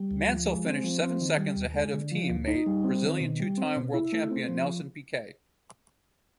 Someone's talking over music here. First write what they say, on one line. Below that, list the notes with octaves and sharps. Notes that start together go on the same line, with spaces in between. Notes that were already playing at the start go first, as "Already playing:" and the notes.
Mansell finished seven seconds ahead of team mate Brazilian two-time World Champion Nelson Piquet.
Already playing: G3
D2
F3
G#3
C4
F3
C4
D#3
G3
D#2
G#3
D3
F3
D2
D#4
G3
C4
D#3
B2
G3
C4
B2
E4
A3
C4
F3